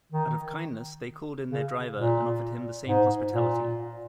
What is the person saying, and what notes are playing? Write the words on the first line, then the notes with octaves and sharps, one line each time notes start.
Out of kindness they called in their driver and offered him the same hospitality.
D#3
C#3
A#2
G#2
A#2